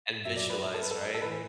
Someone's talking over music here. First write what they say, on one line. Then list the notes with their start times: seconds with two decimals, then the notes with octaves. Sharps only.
And visualize, right?
0.25 F#2 F#3 E5
0.37 D5
0.50 B4
0.74 A4
0.82 B4
0.91 A4
1.14 A4
1.22 A2 E3 B4